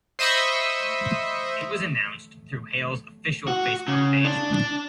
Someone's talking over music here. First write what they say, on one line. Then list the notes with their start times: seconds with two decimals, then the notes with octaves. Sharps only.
It was announced through Hale's official Facebook page.
0.19 C5 D#5 E5 B5 C#6 D#6
3.48 F#4
3.88 C#3
4.25 D4
4.53 D4